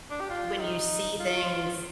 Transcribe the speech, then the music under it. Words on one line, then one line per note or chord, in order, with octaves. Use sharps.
when you see things
D4
G4
F4
D#4
F4